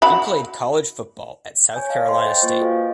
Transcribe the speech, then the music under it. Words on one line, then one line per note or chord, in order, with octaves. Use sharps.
He played college football at South Carolina State.
F#4 F5 B5
C#5 G#5 G6
D5 D#5 F5 A5
A4 C5 D#5 C6
A4 G5 G6 A6
A#3 F4 C5 C#6
F#4 A4 B4 D#5 F5 G#5